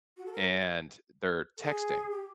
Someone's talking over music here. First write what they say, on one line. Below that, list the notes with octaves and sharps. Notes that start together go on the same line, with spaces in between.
and they're texting
F#4
A4
A#4
A4
G#4
G4